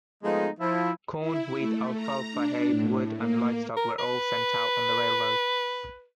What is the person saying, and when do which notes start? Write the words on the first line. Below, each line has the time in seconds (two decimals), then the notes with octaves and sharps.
Corn, wheat, alfalfa hay, wood, and livestock were all sent out on the railroad.
0.24 F3 G#3 A3 B3 D#4
0.60 F3 E4
1.19 E4
1.58 A3
1.95 A#5
2.32 D4
2.68 A2
3.15 A#3
3.77 A#4
3.99 B4